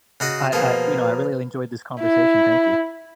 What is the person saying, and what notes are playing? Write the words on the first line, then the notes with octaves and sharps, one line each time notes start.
I I, you know, I really enjoyed this conversation, thank you.
C#3 F#4 D#5
B2 F3 A#3 G#4 B4
E4